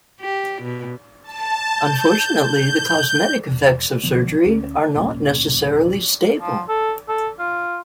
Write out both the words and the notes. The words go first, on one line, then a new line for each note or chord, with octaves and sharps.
Unfortunately, the cosmetic effects of surgery are not necessarily stable.
G4
B2
A5
G6
G6
E1
B1 D3 F3 B3
D2 C#4
D1 B1 A#3 C#4
F3
A4
A4
F4